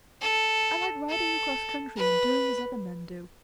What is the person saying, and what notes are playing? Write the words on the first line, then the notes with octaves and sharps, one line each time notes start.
I like riding across country, and doing as other men do.
A4
A4
B4